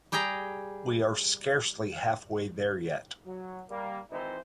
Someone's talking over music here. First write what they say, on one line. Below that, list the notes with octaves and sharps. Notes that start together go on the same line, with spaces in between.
We are scarcely halfway there yet.
G3 G4 G#4 G5 A#5
F#3
G3 A#3
G#1 E3 C4 D#4 E4 C5